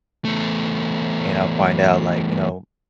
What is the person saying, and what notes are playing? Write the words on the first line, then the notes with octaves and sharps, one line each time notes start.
and I'll find out, like, you know,
E2 A3